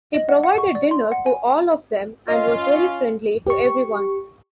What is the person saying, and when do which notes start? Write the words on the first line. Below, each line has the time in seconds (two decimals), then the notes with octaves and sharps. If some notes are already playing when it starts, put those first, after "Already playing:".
He provided dinner to all of them and was very friendly to everyone.
0.14 D#5
0.29 F#5
0.43 F#5
0.58 C#6
0.75 D5
0.91 C6
1.12 F#5
1.26 G#5
2.28 C#4 F4 D#5
3.47 G4 C#6